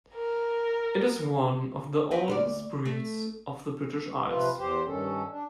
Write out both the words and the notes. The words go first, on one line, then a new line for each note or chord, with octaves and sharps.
It is one of the oldest breeds of the British Isles.
A#4
C4 F#4 B4
D2 E4 D5
A3
C3 F3 F4 B4
E2 G4 C5
G2 D#3 C#4 A4
D4